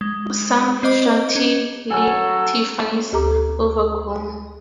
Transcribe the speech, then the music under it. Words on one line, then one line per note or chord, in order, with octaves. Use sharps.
Some Chantilly-Tiffanys' overgroom.
G#3
C4 C5 D#5 D6
C#4
F#3 A4 G#5 E6
D2 G4 A4 A#5 D6